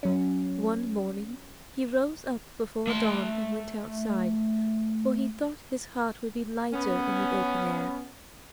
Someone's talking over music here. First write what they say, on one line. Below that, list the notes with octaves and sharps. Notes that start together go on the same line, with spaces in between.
One morning he rose up before dawn and went outside, for he thought his heart would be lighter in the open air.
F#3 C#4
A3 C6
B3 C#4